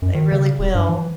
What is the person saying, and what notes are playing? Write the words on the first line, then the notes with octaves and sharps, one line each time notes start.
They really will.
F#2
D#3
C#3
D1
G2
E3